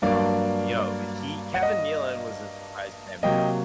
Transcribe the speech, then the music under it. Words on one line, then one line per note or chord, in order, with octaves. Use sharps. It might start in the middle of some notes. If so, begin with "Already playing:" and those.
um, you know, he Kevin Nealon was a surprise cameo.
G2 F#3 A#3 D4 D5
F#5
D#5
C3 F#3 A#3 D#5 G5